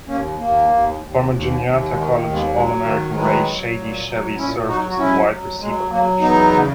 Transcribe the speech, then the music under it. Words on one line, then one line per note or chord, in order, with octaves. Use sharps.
Former Juniata College All-American Ray "Shady" Shelley served as the wide receiver coach.
D#2 A#3 C#4
D#2 A#3
D#2
D#2
D#2
D#2
D#3 G#3
A#3
D#2
G#3 B3
F#3 G#3
D#3 A#3
F#3 G#3 B3
F#3
A#2
F#3
A#2 C#4 E4
F#3 D#4 F#4
F#4
F#3 C#4 E4
F#3
F#3 G#3
F#3 A#3
E2 B3 D#4
C#3